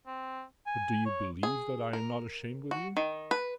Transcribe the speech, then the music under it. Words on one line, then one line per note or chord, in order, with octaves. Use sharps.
"But do you believe that I am not ashamed with you?"
C4
G#5
C#5
G#4
A#4
F#4
D#3
B4